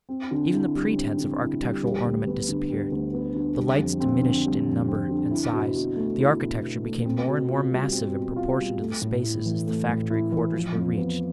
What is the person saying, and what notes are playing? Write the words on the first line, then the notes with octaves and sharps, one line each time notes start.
Even the pretence of architectural ornament disappeared, the lights diminished in number and size, the architecture became more and more massive in proportion to the spaces as the factory quarters were reached.
C4
D3
E4
G3
C4
D3
E4
G3
G3
D2
B3
D3
G3
D2
B3
D3
G3
F2
C4
D3
G3
F2
C4
D3
E4
B2
B2
A3
E4
B2
B2
A3
C4
B2
F4
G3
C4
B2
F4
G3
A3
A2
E4
E3
A3
A2
E4
E3
F3
F2
B3